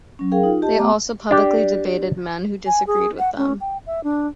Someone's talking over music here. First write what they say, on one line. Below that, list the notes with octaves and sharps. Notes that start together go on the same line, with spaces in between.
They also publicly debated men who disagreed with them.
F#3 C#4
G#4 A#4 F5 G5
D#4 F4
G4 D#5 A5
A3 B3 A#5 D6
D4 G4
G#5
G#4
F#5
C#4
G5
E5
D4